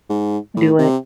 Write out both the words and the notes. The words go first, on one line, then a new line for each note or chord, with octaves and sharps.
Do it.
G#2
A2
C3